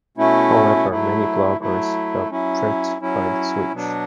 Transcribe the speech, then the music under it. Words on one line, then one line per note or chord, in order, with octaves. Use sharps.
However, many bloggers felt tricked by the switch.
B2 A3 C#4 E4
F#3 A3 E4
F#3 A3 E4
F#3 C#4 E4
F#3 C#4 E4
B2 F#3 B3 D4